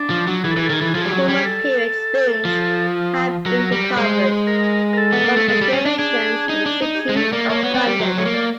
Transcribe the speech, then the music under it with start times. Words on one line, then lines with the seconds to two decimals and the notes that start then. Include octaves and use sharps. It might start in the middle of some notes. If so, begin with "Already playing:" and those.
Roman period spoons have been recovered from excavations in the City of London.
Already playing: D4
0.10 F3
0.27 F#3
0.44 E3 G#4
0.51 A4
0.57 E3 G#4
0.66 A4
0.70 D#3 G#4
0.80 E3 A4
0.87 G#4
0.94 F3 A4
1.01 G3 G#4
1.11 F#3
1.28 G3
1.37 G#4
1.45 A4
2.45 F3
3.46 F#3 A#4
3.72 G3
3.97 G#3 C5
4.47 A#4
4.93 A#4
4.97 A4
5.13 B3
5.24 A#3
5.37 A3
5.48 G#3
5.61 G3
5.73 C#4
5.86 D4
5.98 D4 G#4
6.49 D#4
6.66 D4
6.82 D#4
6.95 G4
6.99 G#4
7.09 G#3
7.16 A3 A4
7.32 A#3 D5
7.45 D5
7.50 A#3 C#5
7.63 B3 C#5
7.74 C4 D5
7.87 G3
8.00 F#3 C5
8.17 A3 C#5
8.25 A#3
8.33 D5